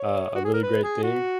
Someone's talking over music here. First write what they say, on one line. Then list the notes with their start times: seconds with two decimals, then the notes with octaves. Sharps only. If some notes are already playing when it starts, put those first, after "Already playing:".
uh, a really great thing.
Already playing: C#5
0.35 F#4
0.44 G#4
0.54 A#4
0.63 B4
0.83 G#4
1.03 F#4